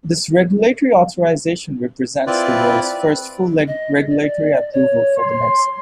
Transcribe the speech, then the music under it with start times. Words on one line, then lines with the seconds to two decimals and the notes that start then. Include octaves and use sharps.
This regulatory authorization represents the world's first full regulatory approval for the medicine.
2.27 C4 E4 F4 B4 D5
3.67 D#5
4.10 D5
4.73 C#5
5.19 C6